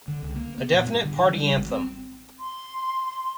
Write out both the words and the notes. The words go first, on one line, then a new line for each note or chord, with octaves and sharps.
A definite party anthem.
D3
C#2
A#3
B3
A#2
G2
D3
E3
G3
G#1
C4
C6